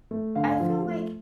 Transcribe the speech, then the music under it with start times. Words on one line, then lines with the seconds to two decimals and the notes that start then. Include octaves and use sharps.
I feel like
0.11 A3
0.35 D3 F5
0.44 G#5
0.50 F5
0.60 F3
0.85 A3